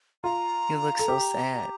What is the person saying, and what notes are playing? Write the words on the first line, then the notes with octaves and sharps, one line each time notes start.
"You look so sad.
F4 A#5
A4
G4